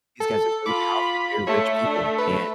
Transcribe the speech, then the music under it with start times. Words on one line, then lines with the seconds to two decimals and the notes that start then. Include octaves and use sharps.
these guys are very powerful, very rich people, and
0.20 A4
0.66 F4 B5 D6
1.47 A3 C#5
1.86 D4
2.19 B4